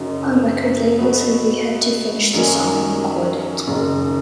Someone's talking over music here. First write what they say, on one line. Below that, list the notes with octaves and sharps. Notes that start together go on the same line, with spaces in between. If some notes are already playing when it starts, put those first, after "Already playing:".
Our record label said we had to finish the song and record it.
Already playing: F#1 F#2 F#3 D#4
B2 F#3 B3
F#2 D#3 F#3 C#4
F#1 F#2 D#3